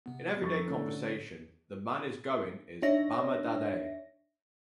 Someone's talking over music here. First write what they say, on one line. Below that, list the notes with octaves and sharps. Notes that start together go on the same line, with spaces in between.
In everyday conversation 'the man is going' is "bama dhaday".
C3 B3
F2 D#4 A4 C#6 A6
D3 A3 C#4
D4 D#4 C#5 E5 A#6